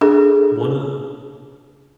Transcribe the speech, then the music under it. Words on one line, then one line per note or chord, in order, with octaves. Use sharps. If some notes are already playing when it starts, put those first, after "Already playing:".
one of
D4 G#4 A4